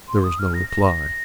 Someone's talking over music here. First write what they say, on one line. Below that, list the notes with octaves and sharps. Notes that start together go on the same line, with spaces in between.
There was no reply.
C6
D#6
F6
A#6
A#6
A#6